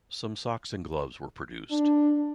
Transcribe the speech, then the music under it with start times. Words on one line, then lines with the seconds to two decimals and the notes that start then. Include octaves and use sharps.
Some socks and gloves were produced.
1.71 D4